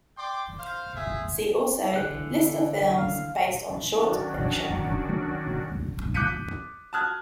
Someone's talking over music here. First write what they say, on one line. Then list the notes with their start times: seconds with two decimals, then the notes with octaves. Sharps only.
See also List of films based on short fiction.
0.17 D5 G5 C6 D6
0.59 C5 F5
0.95 D#4 F4 G#4 E5
1.94 D3 E3 F#6
2.97 F5
3.92 D#3 F#3 C#4 D4 F#4 D5
6.14 D6 F#6 G6 B6 C#7 D#7
6.93 A5 D#6 F6 F#6 G#6